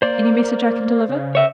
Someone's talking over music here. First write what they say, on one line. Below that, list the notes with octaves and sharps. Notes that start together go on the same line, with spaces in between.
"Any message I can deliver?"
A#3 C5 D5
C#3
C#5 E5